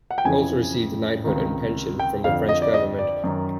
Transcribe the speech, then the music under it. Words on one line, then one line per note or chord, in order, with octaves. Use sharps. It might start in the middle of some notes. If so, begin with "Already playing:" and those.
He also received a knighthood and pension from the French government.
F#5
G5
F2 C#3 E3 G#5
C#2 C3 D#3
G5
F2 D3 F5
D#5
D5
D#5
D5
F#2 D#3